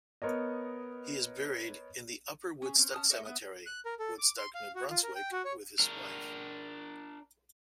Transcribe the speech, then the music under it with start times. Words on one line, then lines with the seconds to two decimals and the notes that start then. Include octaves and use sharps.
He is buried in the Upper Woodstock Cemetery, Woodstock, New Brunswick with his wife.
0.22 B3 A#4 C#5 D#5
2.62 C#4 G#4
2.77 C4 C#4
2.93 C#4 A5 D#6 F6
3.10 A#4 C#5 D5 E5
3.25 B3 E5 D#6
3.66 F#6
3.85 A#4
3.99 A4
4.18 D6
4.39 C6
4.55 F5
4.75 F#4
4.90 F4
5.03 A#4
5.15 G5
5.32 F#4
5.45 C#5
5.79 D4 A#4